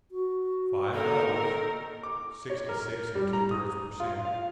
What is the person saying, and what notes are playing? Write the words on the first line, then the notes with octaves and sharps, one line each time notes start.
Five dollars, sixty-six and two-thirds per cent.
F#4
D#3 A#3 A4 A#4
D6
C#5
A#4
G3
A#5
D#6
F4
F5